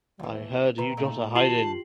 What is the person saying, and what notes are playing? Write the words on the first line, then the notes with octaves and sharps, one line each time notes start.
I heard you got a hiding.
D#2 E3
C3 D#3 B4 A#5
A#2 A3 D#4
D#3 F4 G4 A5 C7 F#7